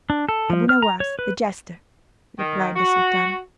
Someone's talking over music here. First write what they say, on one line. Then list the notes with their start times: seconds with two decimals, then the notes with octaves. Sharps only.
'Abu Nowas, the jester,' replied the Sultana.
0.10 D4
0.29 A4
0.50 F3
0.69 F6
0.82 A#5
1.00 C#5
1.19 B4
2.37 D#3
2.75 F#4